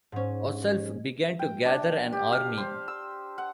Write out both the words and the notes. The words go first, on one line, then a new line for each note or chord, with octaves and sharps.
Osulf began to gather an army.
G#2 C#4
G5
D4
G4
F5
C5
E6
F#5